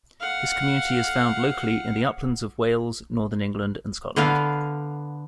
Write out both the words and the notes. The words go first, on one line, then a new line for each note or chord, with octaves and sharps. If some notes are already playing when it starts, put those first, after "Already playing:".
This community is found locally in the uplands of Wales, northern England and Scotland.
F5 F#5
D3 B3 F5